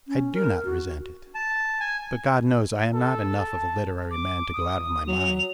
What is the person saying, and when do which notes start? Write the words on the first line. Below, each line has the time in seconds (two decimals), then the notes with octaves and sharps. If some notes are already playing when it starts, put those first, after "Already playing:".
I do not resent it: but God knows I am not enough of a literary man to go out of my mind.
0.08 C#4
0.34 A#4
0.65 F#4
1.35 A5
1.80 G#5
2.93 A4
3.39 A5
4.11 D6
4.53 D#6
5.08 F#3 F7